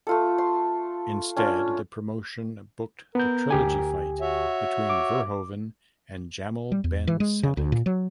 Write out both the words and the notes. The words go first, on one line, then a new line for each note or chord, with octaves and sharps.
Instead the promotion booked the trilogy fight between Verhoeven and Jamal Ben Saddik.
A3 F4 A4
C6
C#4 D4 F4
B3 A#4 G6
D2 G4 G#5
F#4 C#5 E5
D6
G3
E2
E3
G#3
C#3
D2
A#2
F#3